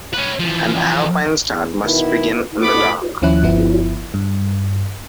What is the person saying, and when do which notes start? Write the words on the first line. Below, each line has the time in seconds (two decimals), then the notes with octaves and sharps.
An "Alpine Start" must begin in the dark.
0.14 C#4 B4
0.39 E3 F3
1.50 E2
1.83 B2 D#3 B3 E4
2.62 A2 A3 B3 B5 D6
3.22 D#2 F3 C#4 E4 F#6
3.43 G1 F3 B3 E4
4.14 G2